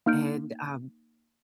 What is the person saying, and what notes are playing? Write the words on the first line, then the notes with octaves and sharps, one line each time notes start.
and, um
A#3 D#4 F6 G6 D7